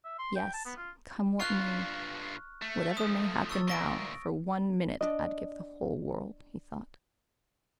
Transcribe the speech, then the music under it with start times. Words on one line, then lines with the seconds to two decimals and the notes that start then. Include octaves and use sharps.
"Yes, come what may--whatever may happen now, for one minute I'd give the whole world," he thought.
0.05 E5
0.18 C6
0.36 G5
0.54 A5
0.65 B3
0.77 F4
1.40 G2 F4 C#6 F6 F#6
2.62 A3
2.97 F3 A3 D#6
3.49 C#6 E6 A6
3.68 D2 A#2 C#6 A#6 D7
5.01 D4 D#5